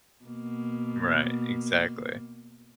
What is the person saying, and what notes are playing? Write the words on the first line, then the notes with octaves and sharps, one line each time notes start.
Right, exactly.
B2 A#3